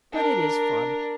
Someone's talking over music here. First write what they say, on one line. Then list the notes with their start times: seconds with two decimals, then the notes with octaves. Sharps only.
But it is fun.
0.12 D4 A#4